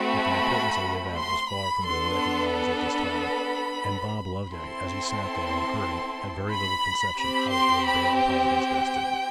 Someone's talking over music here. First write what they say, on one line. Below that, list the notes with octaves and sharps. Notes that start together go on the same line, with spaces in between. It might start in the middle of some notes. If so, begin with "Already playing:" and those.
But the importance of the event was far from being recognized at this time; and Bob Loveday, as he sat there and heard it, had very little conception how it would bear upon his destiny.
Already playing: A3 C4 F#4 B5
C6
B5
B3 D4 A4 C6
B5
C4 E4 A4 C6
B5
C4 G4 B5
C6
B5
G5